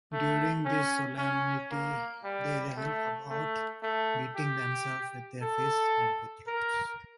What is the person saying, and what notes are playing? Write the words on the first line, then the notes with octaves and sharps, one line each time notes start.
During this solemnity they ran about, beating themselves with their fists and with rods.
A3
C#4
C#4
A#3
G3
A3
A3
A3
G4
A4
A#4